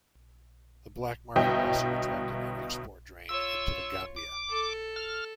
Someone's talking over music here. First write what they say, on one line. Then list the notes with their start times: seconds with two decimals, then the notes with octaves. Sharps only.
The black market also attracted an export drain into the Gambia.
1.36 G1 B2 E4 D#5 G5
3.29 F4 C#5 E6
4.16 D6
4.49 A4
4.96 F6